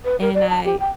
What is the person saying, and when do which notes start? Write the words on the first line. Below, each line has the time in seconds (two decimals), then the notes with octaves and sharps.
and I
0.05 B4
0.21 A#4
0.34 D5
0.49 A5
0.65 G4
0.80 G5